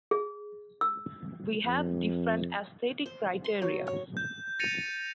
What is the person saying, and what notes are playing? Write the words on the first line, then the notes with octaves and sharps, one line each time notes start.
We have different aesthetic criteria.
G#4
E6
F2
C5
C6
F#3
C#5
G6
A6 A#6 C#7 D#7 F7